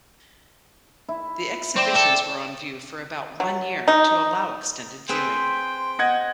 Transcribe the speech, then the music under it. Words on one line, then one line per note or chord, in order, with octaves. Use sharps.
The exhibitions were on view for about one year to allow extended viewing.
E4
C4 D5 G5
A4
F#3
D#4
C4 G#4 B4 G5 C6
D#5 F#5 G#6